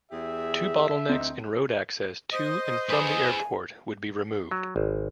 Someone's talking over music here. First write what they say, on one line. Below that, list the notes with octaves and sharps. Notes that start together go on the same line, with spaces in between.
Two bottlenecks in road access to and from the airport would be removed.
E2 G4 G#4 E5
D2 C4 D#4
C5 D#5
G#4 B4 G#5
F#3
G#1